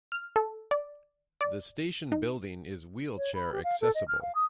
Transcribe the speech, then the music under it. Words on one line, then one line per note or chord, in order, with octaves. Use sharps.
The station building is wheelchair accessible.
F6
A4
D5
D5
D#4
C#5
B5
G4
F5
A4
D#5
F6
F5
D#6